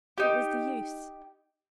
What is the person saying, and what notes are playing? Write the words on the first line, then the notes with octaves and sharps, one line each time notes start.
What was the use?
D#4 G4